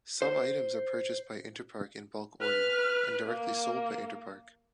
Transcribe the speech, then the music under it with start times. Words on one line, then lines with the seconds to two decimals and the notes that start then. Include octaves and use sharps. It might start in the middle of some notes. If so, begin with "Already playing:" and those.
Some items are purchased by Interpark in bulk order, and directly sold by Interpark.
0.22 C5
2.41 B4 F6
3.27 A#3